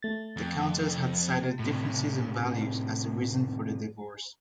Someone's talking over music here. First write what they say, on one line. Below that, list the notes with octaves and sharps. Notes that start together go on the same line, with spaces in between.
The Countess had cited differences in values as the reason for the divorce.
A3 A6
F2
A2 C3